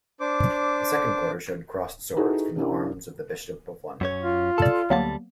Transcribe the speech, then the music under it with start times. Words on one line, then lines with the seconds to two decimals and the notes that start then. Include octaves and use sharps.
The second quarter showed crossed swords, from the arms of the Bishop of London.
0.20 D4 C5 D6
2.17 D#4 E4 F#4 G#4 A4 B4
2.56 C3 C#4 D4 E4 A#4
4.01 F#2 C#4 C#5
4.21 F4
4.58 A4 D5 A5
4.90 D2 F#3 G3 A#3 B3 A5